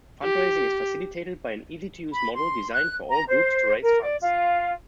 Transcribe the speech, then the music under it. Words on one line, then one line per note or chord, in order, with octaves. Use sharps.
Fundraising is facilitated by an easy-to-use model designed for all groups to raise funds.
G4
B5
C6
F#6
A#5
C5
A#4
D5
F4